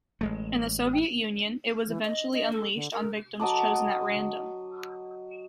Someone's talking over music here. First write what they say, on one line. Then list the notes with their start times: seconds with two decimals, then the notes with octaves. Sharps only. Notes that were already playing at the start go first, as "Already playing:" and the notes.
In the Soviet Union, it was eventually unleashed on victims chosen at random.
0.21 A1 G#3 A3
1.87 E3
2.05 D#5
2.33 D#5
2.53 A4
2.75 D3
2.92 A#4
3.40 F#3 D#5 A5 D6